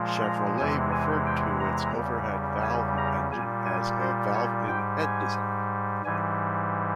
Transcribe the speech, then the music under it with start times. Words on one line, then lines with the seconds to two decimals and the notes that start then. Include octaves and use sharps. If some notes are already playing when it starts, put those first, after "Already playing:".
Chevrolet referred to its overhead-valve engine as a "valve-in-head" design.
Already playing: A#2 F3 G#3
0.24 A#5
0.58 E2 C3 E3 G#3 G#5
0.92 G#5
1.27 G5
1.60 A#5
1.95 E2 C#3 G3
2.63 G#5
2.98 A#5
3.31 A#2 G3 G#5
3.66 G#5
4.00 C5
4.34 C#5
4.68 G#2 G3 G5
5.03 G#5
6.05 G#2 E3 G3 G#5